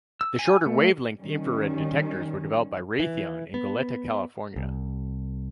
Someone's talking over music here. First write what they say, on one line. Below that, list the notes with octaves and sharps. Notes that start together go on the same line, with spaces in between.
The shorter-wavelength infrared detectors were developed by Raytheon in Goleta, California.
E6
G#5
A3
D#3 G3 C#4
E3
B3
C2